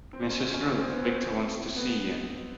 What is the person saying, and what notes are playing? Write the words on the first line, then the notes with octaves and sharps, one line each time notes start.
Mrs. Ruth Victor wants to see you.
C4
C#4
C#4
C#4
C#4
C4
B3
C4
B3